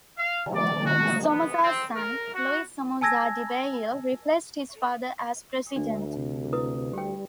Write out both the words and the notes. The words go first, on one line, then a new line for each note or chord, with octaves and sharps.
Somoza's son, Luis Somoza Debayle, replaced his father as president.
F5
D5
F#4
B3
C4
A#4
F#4
G#5 A5 E6 G#6 A#6
D2 D4
C3
E4 B4 D#6
G3 G4 G5